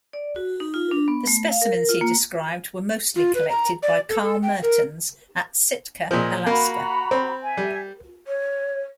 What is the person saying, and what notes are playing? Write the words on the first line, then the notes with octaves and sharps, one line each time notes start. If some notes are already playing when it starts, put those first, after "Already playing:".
The specimens he described were mostly collected by Carl Mertens at Sitka, Alaska.
D5
F#4
D#4
F4
D4
B3
A3
F5
A#4
F4
A#3
F4
B4
A#5
D5
A4
A4
G5
A#4
A#2 F3 G#4 D#5
A#3 F#4 A#5 B5
C4
E5 G#5
G3
C#5